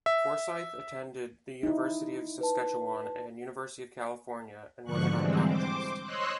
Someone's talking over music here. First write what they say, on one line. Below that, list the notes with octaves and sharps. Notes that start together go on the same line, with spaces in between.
Forsyth attended the University of Saskatchewan and University of California and was an optometrist.
E5
D#4 E4
B4 A5
G#2 B2 D3 F3 C#6 F#6
D3 E3 G3 G#3 C4
C5 D6
C5 C#5 D#5 C6 E6 F#6